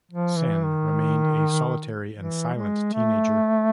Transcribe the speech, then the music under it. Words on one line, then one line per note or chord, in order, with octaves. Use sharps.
Sen remained a solitary and silent teenager.
F3
E3
D#3
E3
G#3
A3